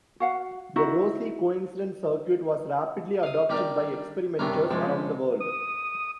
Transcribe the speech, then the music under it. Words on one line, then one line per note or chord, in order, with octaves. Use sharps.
The Rossi coincidence circuit was rapidly adopted by experimenters around the world.
F#4 F5 F#5
D#4 E4 F#4
F5 D#6
D#3 G3 D4 G4 A#4
G2 C3 D#3 C#4 D4 A#4
C3 F3 G#3 C#4
D#6